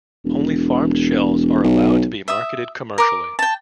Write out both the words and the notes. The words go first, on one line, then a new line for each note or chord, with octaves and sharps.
Only farmed shells are allowed to be marketed commercially.
E1
B1
E5 D#6
A#4 D6
G5 A5